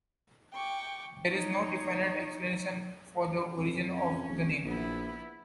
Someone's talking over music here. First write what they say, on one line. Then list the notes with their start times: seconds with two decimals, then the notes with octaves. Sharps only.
There is no definite explanation for the origin of the name.
0.54 G5 C#6 D6
1.32 D#4 C#5
3.56 F2
3.96 C#4
4.28 D1
4.65 A#1 B3 E4